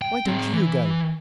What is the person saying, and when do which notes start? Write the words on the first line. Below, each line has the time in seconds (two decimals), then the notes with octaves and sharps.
Why don't you go?
0.02 G5
0.26 C4 G#4
0.53 E3